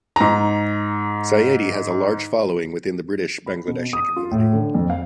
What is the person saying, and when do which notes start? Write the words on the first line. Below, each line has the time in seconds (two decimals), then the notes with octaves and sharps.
Sayeedi has a large following within the British Bangladeshi community.
0.16 G#2 A#5
3.46 B5
3.68 B2
3.93 D#6
4.16 F4
4.31 A2
4.53 D3
4.75 F2
4.90 F5